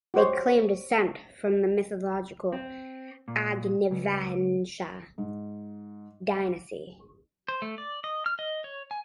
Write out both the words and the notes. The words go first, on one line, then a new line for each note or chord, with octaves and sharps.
They claim descent from the mythological Agnivansha dynasty.
F#4 G4 C5 C#5
C4
A#2
C#2
G#2
C5
A3
D5
D#5
F6
D#5
C#5
G#5